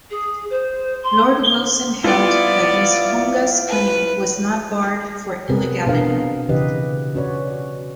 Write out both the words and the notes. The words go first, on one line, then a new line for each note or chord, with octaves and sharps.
Lord Wilson held that Ms Hounga’s claim was not barred for illegality.
G#4
C5
C6
B3 E4 F4 D5
B4
C3 B3 C4 G#4 A#4 B4
B2 B3 D4 G#4 A#4 F5
C#3 E3 G4 B4 D#5
C#4 F#4 B4 C#5 D5